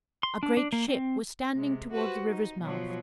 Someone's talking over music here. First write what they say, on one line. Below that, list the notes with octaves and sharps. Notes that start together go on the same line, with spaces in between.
A great ship was standing towards the river's mouth.
C6
D4
D4
A#3
C4
C3 G#3
F#4 G4 B4 C5
D#4
B2 F3 F#3